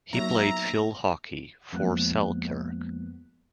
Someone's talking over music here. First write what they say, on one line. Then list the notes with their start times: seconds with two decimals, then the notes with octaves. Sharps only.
He played field hockey for Selkirk.
0.13 F#3 A#3 B3 D#4 F#4 C#5 E5 A#5
1.72 F2 F3 G#3 A#3 B3 F#6